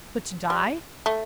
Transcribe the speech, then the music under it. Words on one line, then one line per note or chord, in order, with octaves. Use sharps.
But to die?
G3
A3